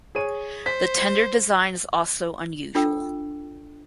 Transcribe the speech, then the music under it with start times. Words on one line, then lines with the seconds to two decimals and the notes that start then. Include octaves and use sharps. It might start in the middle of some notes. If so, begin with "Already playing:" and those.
The tender design is also unusual.
0.15 G#4 C#5 D#7
0.66 C5 B6
2.75 D4 F4 A4 G5 E6